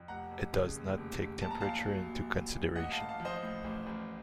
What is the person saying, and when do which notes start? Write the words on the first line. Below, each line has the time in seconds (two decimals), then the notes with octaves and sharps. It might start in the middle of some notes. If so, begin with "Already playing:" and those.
It does not take temperature into consideration.
Already playing: F2
0.08 F1 F#5 A#5
0.31 F1
0.53 C#3
0.75 D#2
0.97 F1
1.19 F1
1.42 A#1 A5
1.51 A#5
1.61 A#1 F5 A5
1.87 F#3
2.08 A#2
2.30 A#1
2.52 A#1
2.76 A1 D#5 F#5
2.92 F5 A5
2.97 A1
3.09 F5 A5
3.20 F3
3.25 C5 D#5
3.42 A2
3.64 A1
3.87 A1